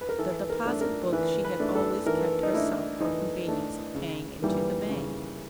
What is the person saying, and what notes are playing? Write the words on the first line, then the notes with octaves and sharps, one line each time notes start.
The deposit-book she had always kept herself for convenience of paying into the bank.
B4
A#4
E3 A4
A#4
A3 D4
A#4
E3 B4
B4
A3 D4
A4
E3 A#4
D#4
A3 D4 E4
E3 D#4
A3 D4
C#3
E3 G3 A#3
C#3